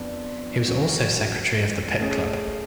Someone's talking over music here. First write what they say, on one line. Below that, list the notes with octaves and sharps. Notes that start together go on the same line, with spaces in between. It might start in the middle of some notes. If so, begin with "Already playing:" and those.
He was also secretary of the Pitt Club.
Already playing: F2 F3 B3 D4
F#3 C#4 F#4
A3 C#4 G#4